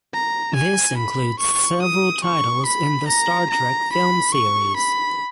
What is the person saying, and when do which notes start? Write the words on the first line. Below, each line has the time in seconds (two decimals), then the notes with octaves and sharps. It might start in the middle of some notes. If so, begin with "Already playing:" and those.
This includes several titles in the "Star Trek" film series.
0.14 A#5
0.55 G#5
0.98 B5
1.39 C#6
1.82 D#6
2.24 C#6
2.66 B5
3.08 A#5
3.50 A#5
3.93 B5
4.34 C#6
4.77 B5